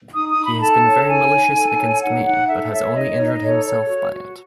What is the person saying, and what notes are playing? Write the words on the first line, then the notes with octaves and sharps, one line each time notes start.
He has been very malicious against me but has only injured himself by it.
D#4 D#6
D#6
D#4
B5
A4 A5
C#5
D#4 G#5
D#4
A4
C#5
D#4 F#5
D#4 F#5
A4 E5
C#5 E5
D#4 D#5
C#5
D#4
D#5
A4 C#5
C#5
F#4
F#4